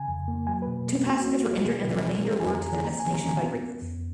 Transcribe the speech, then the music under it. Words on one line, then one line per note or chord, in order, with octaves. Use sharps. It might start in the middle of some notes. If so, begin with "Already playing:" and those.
Two passengers were injured and the remainder were to their destination by "Greycliffe".
Already playing: C#3 G#5
F2
A#3
F#3 G#5
B4
B2
A#3
D#2 F#4
F#4
A#3
F#4
C#4
F4
B2 G#4
B4
B2
B4
B2 G#4
C#4 A#4
G#5
F2
A#5
D#3
G#5
A#3 A#5
G#5
F3
A#5
C#4 G#5
B3
B3
F2